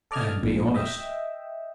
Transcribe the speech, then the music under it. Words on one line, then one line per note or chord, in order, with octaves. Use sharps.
Man, be honest.
A4 D5 D#5 F6 G#6
A#1 A#2
D#5 E5 G5 E6